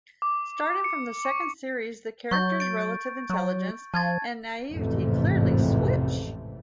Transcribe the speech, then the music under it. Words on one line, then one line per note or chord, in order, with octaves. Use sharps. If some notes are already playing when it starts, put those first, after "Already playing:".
Starting from the second series, the character's relative intelligence and naivety clearly switch.
D6
C#7
C#6
F#3 C#6 G6 A6
A6 D7
F#3
F3 A5 G#6 A6
A1 F2 G#2 C3 E3 A3